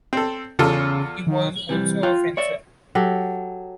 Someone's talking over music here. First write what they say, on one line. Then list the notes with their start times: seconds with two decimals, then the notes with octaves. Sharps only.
He was also a fencer.
0.13 C4 A4
0.59 E2 C#3 F4 A4
1.27 D#3
1.69 C3 E3 G3
2.03 F4 G5
2.37 C#5 D5 E5
2.95 F#3 G4 A4